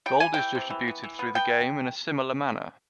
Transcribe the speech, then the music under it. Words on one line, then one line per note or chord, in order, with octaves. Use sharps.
Gold is distributed through the game in a similar manner.
G3 G5
G3 G#5
G5
E3
C3
E3
B3
E3
B3
B3 G5